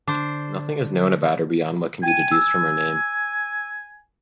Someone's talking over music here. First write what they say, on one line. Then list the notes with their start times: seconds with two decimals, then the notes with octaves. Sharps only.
Nothing is known about her beyond what can be deduced from her name.
0.07 D3 D4 C5
2.03 G5 G#5 D#7
2.31 E6